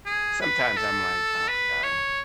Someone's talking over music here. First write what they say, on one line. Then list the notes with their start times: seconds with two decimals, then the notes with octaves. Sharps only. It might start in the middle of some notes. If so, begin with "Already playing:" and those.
sometimes I'm like, "Oh, God."
0.06 G#4
0.42 B4
0.77 A4
1.48 B4
1.83 C#5